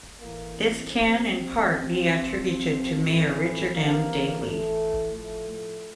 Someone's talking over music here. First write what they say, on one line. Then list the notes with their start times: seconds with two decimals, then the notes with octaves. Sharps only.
This can, in part, be attributed to mayor Richard M. Daley.
0.20 A2 E3 A#3
0.56 C4
0.90 C3 F3 C4
1.61 C3 F3
2.31 C3 F3
3.02 A2 E3
3.72 C3 E3 A#3
4.43 A2 E3 A3
5.13 A2 F3 A3
5.48 A3